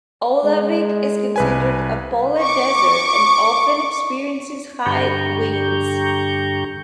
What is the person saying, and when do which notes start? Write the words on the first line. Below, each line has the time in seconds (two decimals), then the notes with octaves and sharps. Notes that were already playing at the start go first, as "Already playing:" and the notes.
Aulavik is considered a polar desert and often experiences high winds.
0.44 G#3
1.36 C2 B4 G#5
2.39 C#6 D6
4.86 G2 D3 G4 A#5 C#6 G6